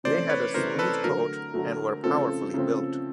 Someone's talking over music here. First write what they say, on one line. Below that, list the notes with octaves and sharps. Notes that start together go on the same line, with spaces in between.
They had a smooth coat and were powerfully built.
C3 E3 A3 C#4 C5 D5
B4 C#5
C3 E3 A3 C#4 A#4 C5
A4 B4
D3 F#3 A3 A#4
D3 F#3 A3
C#3 F3 A3 C4 A4
C#3 F3 A3 C4